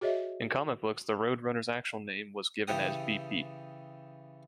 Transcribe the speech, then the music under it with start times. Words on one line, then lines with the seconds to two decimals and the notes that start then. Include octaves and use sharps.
In comic books, the Road Runner's actual name was given as "Beep Beep".
0.01 F#4 G#4 C#5 D#5 E5
2.67 C#3 E3 G4 A4 G5 D#6